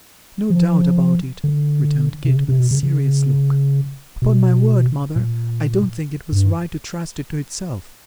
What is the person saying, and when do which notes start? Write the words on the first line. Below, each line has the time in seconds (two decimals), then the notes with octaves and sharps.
'No doubt about it,' returned Kit, with a serious look; 'upon my word, mother, I don't think it was right to trust it to itself.
0.50 F3
1.44 D3
2.25 C3
2.36 C#3
2.49 C3
2.59 B2
2.71 C#3
2.83 C#3
4.22 B2
5.16 A#2
6.32 G2